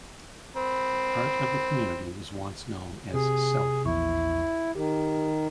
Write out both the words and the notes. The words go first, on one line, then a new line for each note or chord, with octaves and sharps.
Part of the community was once known as Self.
C4 B5
C3 G#4
A#1 E2 E4 C#6
D#3 G4